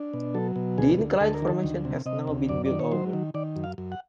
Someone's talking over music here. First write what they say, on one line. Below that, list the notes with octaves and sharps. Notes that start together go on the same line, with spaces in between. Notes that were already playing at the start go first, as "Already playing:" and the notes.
The incline formation has now been built over.
Already playing: D4
B2
F#3 A4
B2
D2 G#4
D2
D2 A4
A#4
D#3
A4
D2
C3
C3 D#5
D2
F#2 D5
D#3 D5
C#5
F#3 C5
D#3
D#3 D5
F#2
F5
F#2
F#5